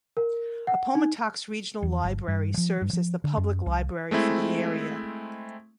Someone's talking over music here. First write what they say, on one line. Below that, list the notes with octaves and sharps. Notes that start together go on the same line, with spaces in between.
Appomattox Regional Library serves as the public library for the area.
A#4
F#5
D#4
E2
G1
G2
F3
G2
F3
D3
F#2
C2
G#3 A3 C4 E4